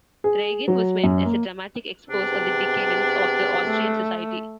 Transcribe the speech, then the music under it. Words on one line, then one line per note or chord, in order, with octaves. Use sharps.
"Reigen" was meant as a dramatic expose of the decadence of the Austrian society.
G#4
F#3
F#2
A#3
C3 B3 D4 G#4
A3